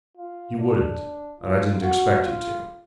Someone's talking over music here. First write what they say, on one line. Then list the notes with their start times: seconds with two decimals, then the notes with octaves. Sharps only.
You wouldn't, and I didn't expect you to.
0.17 F4
0.58 D4
1.40 F4
1.82 F#4
2.23 F4